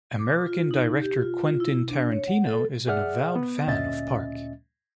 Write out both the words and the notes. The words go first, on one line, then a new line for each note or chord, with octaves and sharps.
American director Quentin Tarantino is an avowed fan of Park.
D6
F4
D#4
G4
F4
F4
E4
D4
C#5
F#5
A4
G#4 D5 E5 F#5 F6
B3
D2 A#2 C#4 D#5 E5 A6